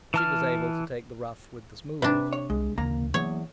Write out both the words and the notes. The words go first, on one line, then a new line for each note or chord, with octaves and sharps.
She was able to take the rough with the smooth.
E3 A5 F6
C3 D4 B4
C#5
C2 G#3
D2 C#3 E3 A#3 A#5
E2 F#3 A#3 C#5